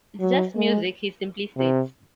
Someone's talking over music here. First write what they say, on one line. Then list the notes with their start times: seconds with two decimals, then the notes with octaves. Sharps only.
"It's just music," he simply states.
0.20 F#3
0.55 G#3
1.57 C3